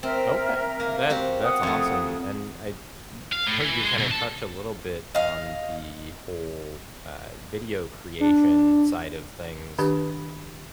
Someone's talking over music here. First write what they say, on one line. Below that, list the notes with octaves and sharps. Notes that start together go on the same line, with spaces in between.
Okay, that that's awesome, and I, mm, heard you kinda touch a little bit on the whole, uh, video creation side of things.
C4 A#4 E5
A#3
C4 F#4 G4
F#5 D#6
F2 A3
F5
A2
E3
G#3
B2 D3
A4 A5
D#5 F5
D4
D#3 D4 G4 B4